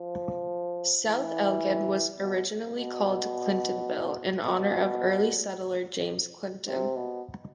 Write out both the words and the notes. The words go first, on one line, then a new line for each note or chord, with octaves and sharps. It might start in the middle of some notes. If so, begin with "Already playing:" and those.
South Elgin was originally called Clintonville, in honor of early settler James Clinton.
Already playing: F3
E3
B2
B2
B2
C3
B2